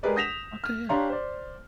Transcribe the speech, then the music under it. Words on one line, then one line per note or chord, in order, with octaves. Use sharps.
Okay, yeah.
G#3 G4 G#4 A#4 B4 D5
D#6 G6 A#6 B6 E7 F7
F6
D4 G4 C#5 F5 A#5 C6
C5 D5